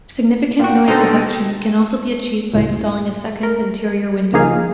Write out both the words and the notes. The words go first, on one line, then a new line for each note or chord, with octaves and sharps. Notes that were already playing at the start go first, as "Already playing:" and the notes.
Significant noise reduction can also be achieved by installing a second interior window.
A#2 F#4 G5
B2 D3 D#4 A4 C5 A#6
C#2 F#2 A2
A#4
C#2 F3 A#3 D#4 G#4 F5